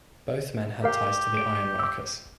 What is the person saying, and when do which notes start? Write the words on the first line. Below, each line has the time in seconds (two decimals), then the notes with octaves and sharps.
Both men had ties to the Ironworkers.
0.84 G4 A#4 F5
1.37 D7
1.79 D6 E6